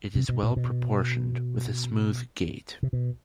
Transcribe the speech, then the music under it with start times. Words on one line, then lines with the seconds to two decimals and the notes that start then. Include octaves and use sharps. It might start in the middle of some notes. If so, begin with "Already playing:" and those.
It is well proportioned, with a smooth gait.
0.15 C3
0.29 B2
0.43 A#2
0.56 B2
2.83 C3
2.93 B2